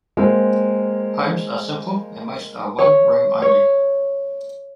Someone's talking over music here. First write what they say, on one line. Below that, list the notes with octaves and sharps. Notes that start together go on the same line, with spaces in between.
Homes are simple and most are one room only.
G#3 A#3 C4
C#5
C#5